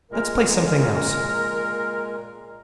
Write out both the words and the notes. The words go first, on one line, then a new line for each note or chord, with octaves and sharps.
Let's play something else.
A#2 G#3 A#4